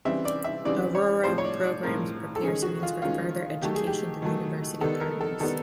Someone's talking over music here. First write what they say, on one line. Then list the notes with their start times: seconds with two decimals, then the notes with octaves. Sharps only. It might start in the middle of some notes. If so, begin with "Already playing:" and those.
Aurora programs prepare students for further education through university partners.
0.05 C#3 E3 G3 C4 E5
0.25 D5
0.44 E5
0.65 C#3 E3 G3 C4 D5
0.95 C#5
1.24 A2 F3 G#3 C4 C5
1.38 C#5
1.45 D5
1.64 D5
1.83 A2 F3 G#3 C4 A#4
2.36 A4
2.43 D#3 G#3 C#4 G#4
2.62 F#4
2.83 F4
3.02 D#3 G#3 C#4 F4
3.62 D#3 F#3 A3 G4
3.75 G#4
3.87 G4
4.22 D#3 F#3 A3
4.81 D#3 G3 B3 A4
5.00 A#4
5.21 A4
5.40 D#3 G3 B3 A4